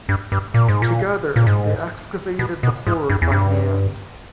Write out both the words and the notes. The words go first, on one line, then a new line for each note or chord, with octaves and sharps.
Together they excavated the hoard by hand.
G2
G2
A#2
G#2
A#2
A#2
G#2
B2
B2
G#2
G2
E2
G2